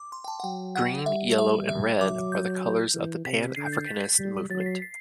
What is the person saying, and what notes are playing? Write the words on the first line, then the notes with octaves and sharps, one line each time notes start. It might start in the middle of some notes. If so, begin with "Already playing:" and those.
Green, yellow and red are the colours of the Pan-Africanist movement.
Already playing: D6
C6
G5
A5
F#5
F#3 G5
F#5
G3 E5
E5
E5
F#3 D6
G6
E3
C3 B6
D3 C7
G6
A6
B6
G3
F#3 A6
C7
B6
C7